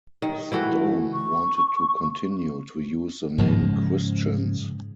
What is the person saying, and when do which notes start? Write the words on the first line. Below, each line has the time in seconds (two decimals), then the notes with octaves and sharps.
Stone wanted to continue to use the name Christians.
0.22 D#3
0.52 E3 A3 F#4
1.14 C#6
3.38 G#2 C#3 F3 G#3